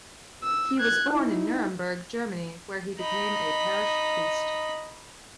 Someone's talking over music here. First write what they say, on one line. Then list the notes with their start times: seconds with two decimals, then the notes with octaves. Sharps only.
He was born in Nuremberg, Germany, where he became a parish priest.
0.43 E6
0.80 F#6 G#6
1.10 D#4 E4
3.00 D#4 D#5 B5